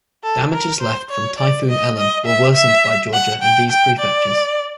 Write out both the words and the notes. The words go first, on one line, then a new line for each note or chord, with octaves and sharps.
Damages left from Typhoon Ellen were worsened by Georgia in these prefectures.
A4
A#4
C5
C#5
D5
D#5
D#5
E5
E5
F#5
G5
G5
D5